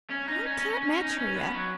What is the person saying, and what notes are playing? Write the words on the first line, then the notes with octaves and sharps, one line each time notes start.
I can't match her yet.
C#4
D#4
C#4
C#4
C#4
C#4
D#4
C#4
B3
F#3